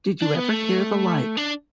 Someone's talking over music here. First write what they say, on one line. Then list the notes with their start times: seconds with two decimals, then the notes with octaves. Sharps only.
Did you ever hear the like?
0.22 D4
0.35 B3
0.49 A3
1.37 D4